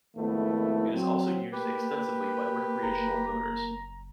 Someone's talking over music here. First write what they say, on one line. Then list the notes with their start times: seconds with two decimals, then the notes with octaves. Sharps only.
It is also used extensively by recreational boaters.
0.16 G#1 F2 D#3 A3 B3 E4
0.93 F#3 C4
1.52 A#3 G4 B4
2.83 F#1 A#5